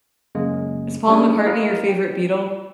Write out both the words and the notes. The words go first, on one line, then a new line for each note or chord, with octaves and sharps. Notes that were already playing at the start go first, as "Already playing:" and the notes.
Is Paul McCartney your favorite Beatle?
F#2 C#3 G#3 A#3
G3 A#3 C#4 D4 E4 G#4
E4 A#4 D#5 F5
G5